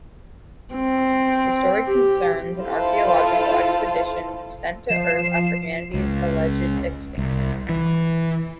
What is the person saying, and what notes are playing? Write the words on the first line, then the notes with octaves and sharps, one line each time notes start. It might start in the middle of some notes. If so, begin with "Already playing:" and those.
The story concerns an archaeological expedition sent to Earth after humanity's alleged extinction.
C4
G4
E4 F4 A4 C5
F3 C7 E7
C#2
C2
E3